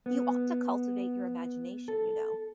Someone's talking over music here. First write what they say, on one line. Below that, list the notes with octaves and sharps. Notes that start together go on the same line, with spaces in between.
You ought to cultivate your imagination, you know.
B3
A4